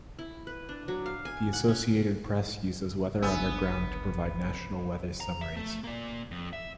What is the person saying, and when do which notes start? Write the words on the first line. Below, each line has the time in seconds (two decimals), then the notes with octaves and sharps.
The Associated Press uses Weather Underground to provide national weather summaries.
0.19 E4
0.47 B4
0.69 D4
0.88 F#3
1.06 F5
1.25 G#5
1.53 F#5
1.68 C#4
3.22 G1 C#2 B3 D4 E6
5.20 A#5
5.41 E5
5.57 A3
5.84 A#3 D5
6.31 F2
6.53 E5